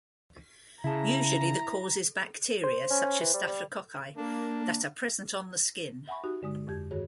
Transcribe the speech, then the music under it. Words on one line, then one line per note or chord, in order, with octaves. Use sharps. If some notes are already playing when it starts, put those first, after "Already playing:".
Usually, the cause is bacteria such as staphylococci that are present on the skin.
C#3 E4 A5 A#5
C5
C#4
E3
G3
G3
A#3 D4
E5 F#5 G#5 B5 C#6
D#4 F#4 G4
G2 D3 G#3 D#6
F2 G4 G#6
G2 D#3 F#4 G#4 C#5